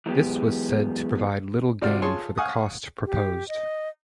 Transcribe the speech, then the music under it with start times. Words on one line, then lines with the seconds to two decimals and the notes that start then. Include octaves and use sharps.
This was said to provide little gain for the cost proposed.
0.06 E3 F#3 G#3 B3 G4
1.81 G#1 C3 F4 F#4 D5 F6
2.02 F4 G#4 C#5 A5 C6 C#6
2.38 F5 F#5 G#5 C#6 D#6
3.06 G4
3.48 D#5